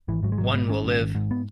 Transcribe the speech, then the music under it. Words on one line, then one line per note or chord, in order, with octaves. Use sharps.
One will live.
G#1 E3
G#2 F#3
G#3
G#1 F#3
G#2 B3
G#1 C#4
G#2
G#1
G#2
B3